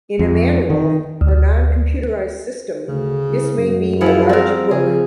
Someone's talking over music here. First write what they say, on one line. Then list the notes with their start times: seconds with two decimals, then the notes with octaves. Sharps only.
In a manual or non-computerized system this may be a large book.
0.19 F2
0.70 D#3
1.21 D2
2.88 D2 C#3
3.28 C2
3.57 F#2
4.01 F3 E4 G#4 F#5
4.29 G3 C4 A#4
4.71 C#3 F3 G#4